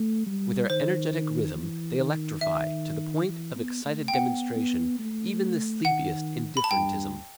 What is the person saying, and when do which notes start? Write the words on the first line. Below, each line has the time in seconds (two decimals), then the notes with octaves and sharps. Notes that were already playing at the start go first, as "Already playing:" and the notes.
With their energetic rhythm they electrify, to the point of excited demonstration, even the sleepiest indifferentism.
Already playing: A3
0.27 G3
0.70 D#3 C5
1.55 E3
1.99 D#3
2.41 D#3 E5
3.27 E3
3.56 B3
3.85 A3
4.08 G5
4.13 B3 F#5
4.56 B3
4.99 A3
5.85 D#3 F#5
6.57 B5
6.64 A5
6.71 G2 G5